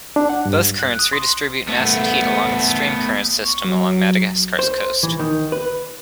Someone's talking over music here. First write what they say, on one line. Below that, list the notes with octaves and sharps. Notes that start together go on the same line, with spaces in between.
Both currents redistribute mass and heat along the stream current system along Madagascar's coast.
D4
F#5
G2
F#6
D#6
C6
A3 B3
C#6
F#3
C5
E3
D#3
B4